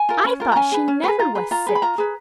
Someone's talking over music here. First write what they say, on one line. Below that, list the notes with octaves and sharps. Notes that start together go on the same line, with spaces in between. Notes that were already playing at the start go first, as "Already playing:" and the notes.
"I thought she never was sick."
Already playing: G#5
F4 A#4
C#4
F4 A#4
A#5
C#4 G#5
G#4 B4
C#4
G#4 B4
F4 A#5
G#4 B4
F4 A#5
G#4 B4
B5
F4 A#5
G#4 B4